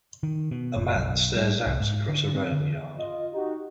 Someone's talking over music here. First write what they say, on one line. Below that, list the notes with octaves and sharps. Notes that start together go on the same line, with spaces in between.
A man stares out across a rail yard.
D#3
B2
F#1
B1
G3
C2
G#2
D3
C4
D3
F4 D#5
D#4 F#4 G4